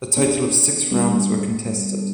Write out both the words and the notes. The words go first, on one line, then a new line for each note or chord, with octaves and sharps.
A total of six rounds were contested.
B3 D4
G3 B3